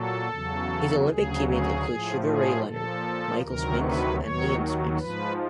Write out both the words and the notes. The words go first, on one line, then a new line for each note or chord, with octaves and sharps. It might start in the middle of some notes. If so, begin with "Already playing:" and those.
His Olympic teammates included Sugar Ray Leonard, Michael Spinks and Leon Spinks.
Already playing: A#2 F#3 A4
E2 C#3 F#3
D2 C#3 F#3 G#4
G#4
A2 F3
G#4
A#2 F3 A4
D2 C3 D#3 F#3 A#4
B4
D#2 D#3 F#3 C#5
G#2 F3 B4